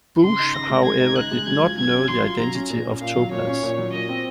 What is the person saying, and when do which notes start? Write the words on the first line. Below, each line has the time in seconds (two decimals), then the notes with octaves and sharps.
Busch however did not know the identity of Topaz.
0.23 C#3 C6
0.39 D#4
0.53 C#3 A#6
0.70 G#3
0.84 C#3 G#6
1.00 D#4
1.16 C#3 F#6
1.31 G#3
1.46 F#3 G#6
1.63 F4
1.77 F#3 G#6
1.93 C#4
2.08 F#3 C6
2.23 F4
2.39 F#3 A#5
2.55 C#4
2.70 A#2
2.85 C#4
3.01 A#2 F5
3.16 F#3
3.31 A#2 C#5
3.47 C#4
3.63 A#2
3.78 F#3
3.93 A#2 D#5
4.09 C4